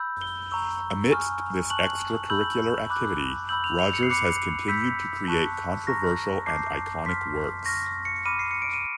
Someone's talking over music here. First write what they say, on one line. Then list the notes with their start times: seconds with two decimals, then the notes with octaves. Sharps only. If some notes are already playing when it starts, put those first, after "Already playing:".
Amidst this extra-curricular activity, Rogers has continued to create controversial and iconic works.
Already playing: B5 E6 G6
0.21 G7
0.52 A#5 C#6 E6
1.11 G#5 C#6 F6
1.70 A5 C#6 F#6 F#7
2.30 B5 E6 G6 F#7
2.90 B5 D6 F#6
3.49 B5 E6 G6 F#7
3.64 F7
3.79 F7
3.94 C#7
4.03 C7
4.09 B5 D6 F#6 C#7
4.68 B5 E6 G6 B6
5.28 A5 C#6 F#6
5.87 A#5 C#6 F6 A#6
6.46 A5 D6 G6 C7
7.06 C6 F6 B6
7.65 C#6 F6 A#6
8.05 C#7
8.25 B5 D6 F6 D#7
8.39 C7
8.51 C#7
8.62 D7
8.74 D#7